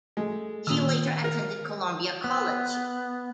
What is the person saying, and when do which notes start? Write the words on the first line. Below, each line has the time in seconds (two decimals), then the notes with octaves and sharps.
He later attended Columbia College.
0.17 G#3 A3
0.67 A#2 D#3 D#6 E6
1.24 A#4
2.24 B3